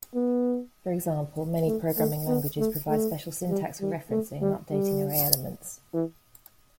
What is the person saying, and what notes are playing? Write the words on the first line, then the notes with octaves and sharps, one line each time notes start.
For example, many programming languages provide special syntax for referencing and updating array elements.
B3
A3
A3
B3
A3
A3
G3
G3
A3
G3
G3
E3